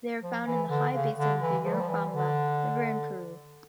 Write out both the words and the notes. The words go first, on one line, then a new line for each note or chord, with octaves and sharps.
They are found in the high basin of Urubamba River, in Peru.
F3
E3
D3
C#3
D3
E3
F3
G3
F3
E3
D3